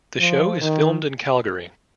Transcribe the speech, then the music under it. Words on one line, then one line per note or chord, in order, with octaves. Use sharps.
The show is filmed in Calgary.
F3
D#3